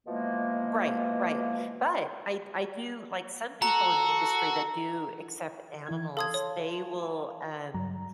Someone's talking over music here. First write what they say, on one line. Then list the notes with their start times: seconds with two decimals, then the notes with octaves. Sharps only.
Right, right, but I I do like, some people in the industry that do accept animals, they will, um
0.07 B2 E3 F3 G#3 A#3
3.62 F#4 A4 A#5
5.87 E3 E4 G#6
6.17 A4 F5 A5 C6 D#6 G#6
6.34 C#5
7.74 G2 F#3 A#5